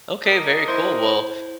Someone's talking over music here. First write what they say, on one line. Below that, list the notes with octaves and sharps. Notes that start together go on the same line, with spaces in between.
Okay, very cool. Well,
D4 A#4 D#5
E4 C5